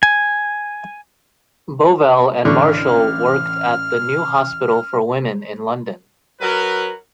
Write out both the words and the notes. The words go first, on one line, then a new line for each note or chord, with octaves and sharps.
Bovell and Marshall worked at the New Hospital for Women in London.
G#5
A1 D3 C#6 F6
F#3 A#4 B4